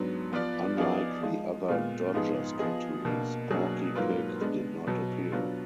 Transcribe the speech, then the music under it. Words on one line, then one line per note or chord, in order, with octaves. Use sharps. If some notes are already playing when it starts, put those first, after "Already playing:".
Unlike the other Dodgers cartoons, Porky Pig did not appear.
Already playing: G#2 F#3 B3 D4
F3 B3 F4 B4 D5
F3 B3 D#4 G#4 D5
F3 G#3 D#4
A#2 G#3 B3 F4
G#2 F3 B3 D#4 G#4
F3 B3 F4 G#4 D#5
B2 A#3 D4
B2 F#3 A#3 D4 G#4
G#2 F#3 A#3 F4 B4
G#3 B3 D4
B2 F#3 B3
F#3 B3 D4 F4